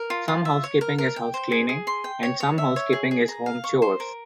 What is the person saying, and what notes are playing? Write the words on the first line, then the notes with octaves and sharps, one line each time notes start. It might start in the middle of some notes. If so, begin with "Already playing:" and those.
Some housekeeping is housecleaning and some housekeeping is home chores.
Already playing: A#4
F4
F4
E5
C#5
A#4
A#4
G5
C5
G#4
G#4
C6
G5
C#5
C#5
E5
C#5
G#4
G#4
A#5
F5
C#6
C5
A#4